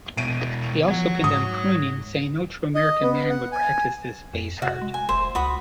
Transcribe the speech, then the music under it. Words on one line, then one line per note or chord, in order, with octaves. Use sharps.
He also condemned crooning, saying, No true American man would practice this base art.
B2 E4 D7 D#7
F3 C#5 F#5
G#2 D#6
D#5
B3
F#5
G#5
F2
C3 F#4
G#3
G#5
F1 C5 E5
C#2 F#4 B5 D#6